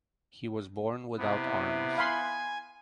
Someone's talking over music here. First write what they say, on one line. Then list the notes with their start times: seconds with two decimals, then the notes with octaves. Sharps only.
He was born without arms.
1.18 C3 B3 E4
1.98 F5 G#5 B5 C6